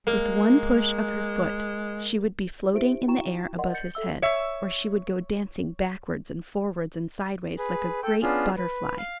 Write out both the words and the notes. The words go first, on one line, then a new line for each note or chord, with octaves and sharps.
With one push of her foot, she would be floating in the air above his head; or she would go dancing backwards and forwards and sideways, like a great butterfly.
G#3 A#3
E4 G4 C5 E5 D7
E4 F#4 G5 A#5 C#6 E7
A#4 D5 D#5 F#5 C6
G6 A6 C#7
A4 E5 E6 G7
C#5 E5
G#4 B4
A4 G5
B3 C#4 D4 F4 G#4
B4
F5